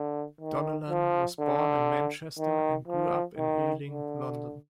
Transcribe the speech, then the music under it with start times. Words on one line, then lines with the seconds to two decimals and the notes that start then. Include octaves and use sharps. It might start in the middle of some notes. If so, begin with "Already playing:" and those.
Donnellan was born in Manchester and grew up in Ealing, London.
Already playing: D3
0.41 D#3
0.90 F3
1.40 D3
2.39 D#3
2.88 F3
3.38 D#3
3.88 D3